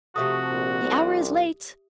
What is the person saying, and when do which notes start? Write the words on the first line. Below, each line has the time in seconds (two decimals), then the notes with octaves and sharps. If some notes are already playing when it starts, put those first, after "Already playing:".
"The hour is late!"
0.16 C3 F3 A3 F#4 G4 E5 D#6
0.50 A#1
0.82 C2